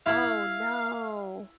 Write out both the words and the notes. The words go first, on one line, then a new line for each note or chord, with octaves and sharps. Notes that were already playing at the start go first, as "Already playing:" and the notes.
Oh, no.
E4 F5